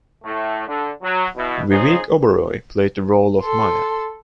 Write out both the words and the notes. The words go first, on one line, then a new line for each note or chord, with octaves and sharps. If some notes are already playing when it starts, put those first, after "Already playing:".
Vivek Oberoi played the role of Maya.
A2 A3
D3
F#3
B2 E4
F2 C#3 D#4 F4 G#4 C5
A4 C6